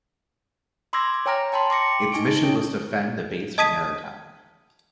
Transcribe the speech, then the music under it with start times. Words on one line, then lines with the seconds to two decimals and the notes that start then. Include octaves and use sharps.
Its mission was to defend the base from air attack.
0.93 B5 C6 D6 E6 G#6 A#6
1.26 C#5 G5 G#5 A#5 F6 A#6
1.53 G5 A5 B5 C6
1.70 C6 D6 A#6 C#7
2.12 D#4 G#5 C#6 D7
2.43 C#4 G#5
3.58 D#5 A5 D#6 G#6 B6 D#7